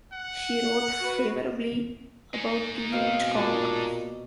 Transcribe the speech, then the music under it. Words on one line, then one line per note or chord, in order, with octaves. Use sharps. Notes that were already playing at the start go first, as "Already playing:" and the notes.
She wrote favorably about the Viet Cong.
F#5
F#4 B4
G#3 D#4
B2 C4 F5
A#2 D4